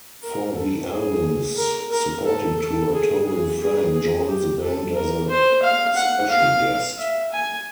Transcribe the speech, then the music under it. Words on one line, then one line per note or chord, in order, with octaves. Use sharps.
For the album's supporting tour, Tobin Frank joined the band as a "special guest".
A#4
A4
G#4
A#4
A#4
A4
A4
G#4
G#4
G#4
G#4
G4
A4
A#4
C5
F5
F#5
F5
E5
G#5